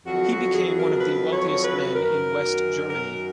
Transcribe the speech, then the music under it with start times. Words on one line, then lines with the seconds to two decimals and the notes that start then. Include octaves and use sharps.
He became one of the wealthiest men in West Germany.
0.06 F2 D#3 F#3 F#4
0.31 F#4
0.54 G#4
0.78 A#4
1.01 B4
1.33 C#5
1.63 B4
1.95 F#2 D#3 F#3 A#4
2.90 A#4